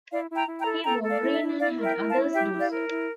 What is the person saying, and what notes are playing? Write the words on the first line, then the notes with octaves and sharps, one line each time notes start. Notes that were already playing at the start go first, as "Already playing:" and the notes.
He wore green and had others do so.
E4 D5 F5
E4
G5 A#5
E4
G5 A#5
A4
A4 G5 A#5
A4
D5 F5
E4
E5
E4
E4 D5 F5
A#4
E5 G5
E4
F5 A5
E4
G4 E5 G5
E4
D5 F5
A#4
E4